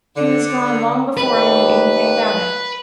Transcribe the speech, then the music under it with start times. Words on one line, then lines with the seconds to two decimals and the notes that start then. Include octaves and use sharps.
She was gone long before I knew any thing about it.
0.17 D3
1.17 D#2 B4